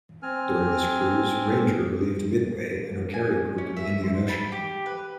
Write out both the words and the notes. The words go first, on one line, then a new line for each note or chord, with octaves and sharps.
During this cruise, "Ranger" relieved "Midway" and her carrier group in the Indian Ocean.
C4 G#5 F6
G#5
C#4
E5
C6
B5
G4
B4